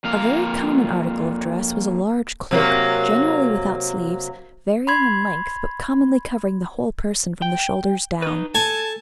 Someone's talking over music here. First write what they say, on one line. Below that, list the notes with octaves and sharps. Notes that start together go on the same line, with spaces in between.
A very common article of dress was a large cloak, generally without sleeves, varying in length, but commonly covering the whole person from the shoulders down.
F2 A#3 F5
C3 F#3 A#3
B5 C6 G#6
G5
D#4 B4
A4 G#5 A5